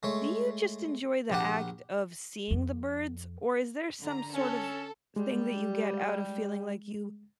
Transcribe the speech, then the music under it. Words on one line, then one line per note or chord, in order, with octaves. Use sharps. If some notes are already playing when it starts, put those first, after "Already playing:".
do you just enjoy the act of seeing the birds, or is there some sort of thing that you get out of feeling like you
G#3 A3 C#5
A#1 G4 F#5
F2
D3 A#5
C#4 A4
G3 G#3